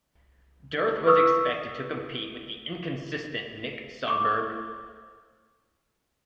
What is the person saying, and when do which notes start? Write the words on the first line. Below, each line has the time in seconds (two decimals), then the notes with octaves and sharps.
Dearth was expected to compete with the "inconsistent" Nick Sundberg.
1.06 B4 C#6 D#6 E6
4.08 C#6 D6